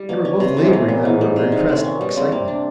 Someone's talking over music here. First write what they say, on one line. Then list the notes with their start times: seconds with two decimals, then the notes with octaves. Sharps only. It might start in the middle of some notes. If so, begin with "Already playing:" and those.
They were both laboring under a repressed excitement.
Already playing: G3
0.09 B2 A#3
0.25 C#4
0.40 C3
0.55 G2 E3
0.66 G#2
0.73 A2 F#3
0.88 A#2 B3
1.05 G#2 E3
1.21 G3
1.36 C3
1.52 D#3
1.68 A2 G#3
1.84 A#2 C#4
2.00 B2 G3
2.16 C#3 C4
2.32 C3 A#3
2.48 D4